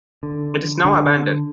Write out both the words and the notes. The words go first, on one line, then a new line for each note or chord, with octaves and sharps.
It is now abandoned.
D3
D3